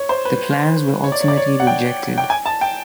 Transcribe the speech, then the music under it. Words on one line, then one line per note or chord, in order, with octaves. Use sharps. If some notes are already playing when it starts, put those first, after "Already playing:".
The plans were ultimately rejected.
Already playing: C#5
C5
B4
C#5
D5
C#5
D5
C#5
F#5
G5
G5
G#5
A5
G5